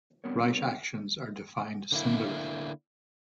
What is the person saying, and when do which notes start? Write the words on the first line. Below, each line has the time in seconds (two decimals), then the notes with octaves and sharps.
Right actions are defined similarly.
0.24 G3 B3 C4 D4 A#4 C#5
1.92 D3 A#3 E4